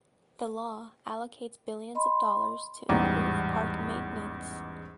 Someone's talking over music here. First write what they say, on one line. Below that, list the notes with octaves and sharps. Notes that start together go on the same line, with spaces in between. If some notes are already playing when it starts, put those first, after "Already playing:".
The law allocates billions of dollars to improve park maintenance.
D#5 B5 C6
A1 E2 G#2 G3 A#5